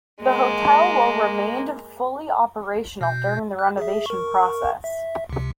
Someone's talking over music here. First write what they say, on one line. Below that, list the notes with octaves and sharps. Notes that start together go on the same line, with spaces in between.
The hotel will remained fully operational during the renovation process.
G#3 A#3
B2 G6
F#6
G#4 E5
A#4 C#6
E5
C#2 C3